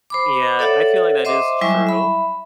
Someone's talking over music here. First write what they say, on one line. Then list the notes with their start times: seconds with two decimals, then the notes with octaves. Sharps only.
Yeah, I feel like that is true.
0.10 C5 B5 D6
0.59 A4 C#5 D5 E5 F#5
1.25 C5 D#5 E5 C6 D6
1.61 F#3 G3 E4 E5 G#5 C#6
1.87 E5 B5